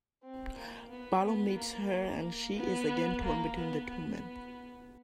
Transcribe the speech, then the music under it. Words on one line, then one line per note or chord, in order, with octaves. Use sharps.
Barlow meets her and she is again torn between the two men.
C4
A#3
B3
B3
A#3
B3
A#3
B3
B3